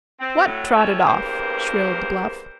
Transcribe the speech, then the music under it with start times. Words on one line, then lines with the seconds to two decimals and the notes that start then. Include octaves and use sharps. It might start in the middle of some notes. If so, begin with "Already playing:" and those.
"What trotted off?" shrilled Bluff.
0.20 C4
0.44 A2 F#3 A3
0.74 F3 C4 C#4 E4 A4 C#5
1.05 E2 G2 G3 A#3 A#4 C5